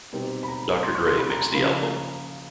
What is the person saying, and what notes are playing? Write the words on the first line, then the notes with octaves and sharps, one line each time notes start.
Doctor Dre mixed the album.
B2 G3 C4 D#4
B5
A#5
C6
C#6
C6
B5
A#5
A#5
C#3 F3 A#3 B5
A#5